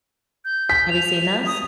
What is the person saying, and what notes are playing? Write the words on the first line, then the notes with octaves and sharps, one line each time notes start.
Have you seen those?
G6
B6
F7
D#6